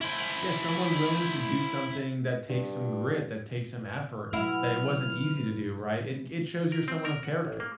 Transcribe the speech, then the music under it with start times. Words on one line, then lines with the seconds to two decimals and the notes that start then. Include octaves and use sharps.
Yeah, someone willing to do something that takes some grit, that takes some effort, that it wasn't easy to do, right? It g it shows you're someone of character.
0.01 E4 C5
2.49 G2
4.33 B2 F#3 E4 F6
6.72 A#4
6.88 C4
7.05 A#4
7.25 F#5
7.45 A1
7.60 A#3